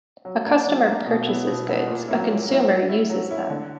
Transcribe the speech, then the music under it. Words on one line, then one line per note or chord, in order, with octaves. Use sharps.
A customer "purchases" goods; a consumer "uses" them.
F#3
A#3 D4
F#3
A#3 D4
B2
F#3 B3 E4
B2
F#3 B3 E4
A#2
F#3 A#3 C#4 E4
A#2
F#3 A#3 C#4 E4
F#3
C#4 E4
F#3
C#4 E4
D3